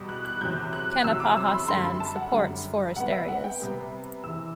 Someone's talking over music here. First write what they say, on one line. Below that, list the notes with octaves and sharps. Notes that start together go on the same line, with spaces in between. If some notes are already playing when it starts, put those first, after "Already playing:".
Kanapaha sand supports forest areas.
Already playing: E2 B2 G3
F#6
F#6
E2 C3 F#3 G6
F#6
E2 C3 F#3 E6
D6
E6
C6
B5
F#2 D3 G3 C6
B5
A5
F#5
F#2 D3 G3
C3 G3 B3 F#5
E5
F#5
G5
C3 G3 B3
E2 C3 E3 E6